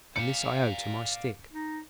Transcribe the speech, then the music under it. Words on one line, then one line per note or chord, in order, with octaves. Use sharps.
And this I owe to my stick.
D5 F5 C#7
D#4